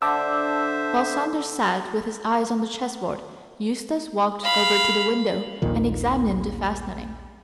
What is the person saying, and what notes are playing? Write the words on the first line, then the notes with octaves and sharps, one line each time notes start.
While Saunders sat with his eyes on the chessboard, Eustace walked over to the window and examined the fastenings.
D3 C5 E5 A5 D6 E6
F5 B5
A#1 D#2 A#2 D#3